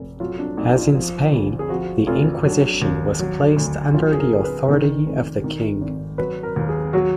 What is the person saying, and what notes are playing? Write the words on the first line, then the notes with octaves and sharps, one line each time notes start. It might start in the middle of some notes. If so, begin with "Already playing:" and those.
As in Spain, the Inquisition was placed under the authority of the king.
Already playing: F1
F#3 F4
D4
A#1 D#4
F4
F3
D2
G#4
F3 F#4
F1 F4
F#3 D4
D#2
F#3
D2
F#3 F4
G#4
A#4
D2
B4
D#3 D5
F1
D#3
G#1
F#3 B4
A#4
D#2
G#4
F#3 F#4